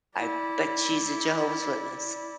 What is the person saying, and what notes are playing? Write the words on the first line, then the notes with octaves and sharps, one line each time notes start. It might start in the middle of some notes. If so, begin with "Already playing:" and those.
"I bet she's a Jehovah's Witness."
E4 D5